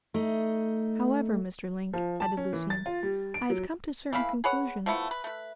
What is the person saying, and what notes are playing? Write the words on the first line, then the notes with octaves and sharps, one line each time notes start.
However, Mr. Link," added Lucian, "I have come to certain conclusions.
A3 D#4
F3
A5
C#4
E3
A6
F4
G3
D7
F#3
E3 A3 F5 B5
G#4 B4 C#5 F#5
F3 A3 B3 E4
B4
A3 B4